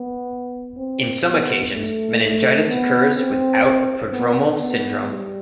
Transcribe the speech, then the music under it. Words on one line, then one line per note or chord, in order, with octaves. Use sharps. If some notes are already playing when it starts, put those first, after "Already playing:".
In some occasions, meningitis occurs without a prodromal syndrome.
Already playing: B3
C4
B3
A3
A3
B3
C4
B3
B3
G3